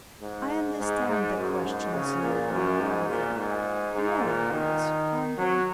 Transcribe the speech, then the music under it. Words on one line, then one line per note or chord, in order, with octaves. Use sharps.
I understand the questions you are worrying over--moral ones, aren't they?
G#2
G#2
G#2
F#2
G#2
C#3
A#2
F#2
G#2
A#2
G#2
G#2
A#2
D#3
F#3